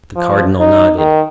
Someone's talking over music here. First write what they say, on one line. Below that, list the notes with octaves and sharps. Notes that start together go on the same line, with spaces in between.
The Cardinal nodded.
F3
D#4
D#3